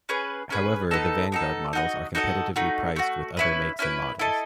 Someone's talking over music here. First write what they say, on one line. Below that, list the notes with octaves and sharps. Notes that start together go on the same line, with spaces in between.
However, the Vanguard models are competitively priced with other makes and models.
C#4 G#4 B4
C#4 G#4 B4
B3 D#4 A4
B3 D#4 A4
D#4 F#4 A4 D#5
D#4 F#4 A4 D#5
A3 D#4 F#4
A3 D#4 F#4
C#4 E4 B4
C#4 E4 B4
E4 A4 D#5